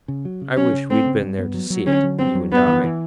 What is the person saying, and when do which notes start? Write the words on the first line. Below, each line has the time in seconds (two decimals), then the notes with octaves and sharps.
I wish we had been there to see it, you and I.
0.08 C#3
0.25 F#3
0.42 C#3
0.57 F#3 C#4
0.73 C#3
0.90 A3 C4
1.06 C#3
1.22 G2
1.39 B3
1.54 F#3
1.70 F#3
1.86 D3 C#4
2.04 F#3
2.19 G2 C4
2.35 F#3
2.51 G2 B3
2.68 E3
2.84 E3